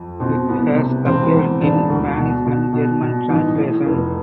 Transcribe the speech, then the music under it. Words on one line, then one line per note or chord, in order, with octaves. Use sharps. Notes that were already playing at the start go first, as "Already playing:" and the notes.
It has appeared in Spanish and German translation.
Already playing: F2
B2 C4
C2 B3
C3
E1 C4
E2
E1 D4
D2
B2
B2
B2
B2
A1 D#4
A2
F1